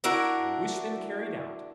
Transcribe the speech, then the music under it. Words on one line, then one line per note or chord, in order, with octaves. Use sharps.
I wish them carried out.
D4 E4 F#4 A#4